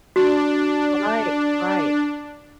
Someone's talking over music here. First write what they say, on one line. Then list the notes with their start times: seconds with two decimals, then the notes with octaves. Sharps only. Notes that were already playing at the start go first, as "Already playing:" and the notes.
Right, right,
0.16 D4 F#4